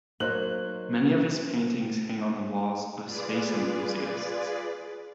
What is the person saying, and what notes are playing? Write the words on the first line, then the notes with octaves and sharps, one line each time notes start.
Many of his paintings hang on the walls of space enthusiasts.
F#3 A#3 D#4 C5 F#6 F#7
F4 G#4 B4 D5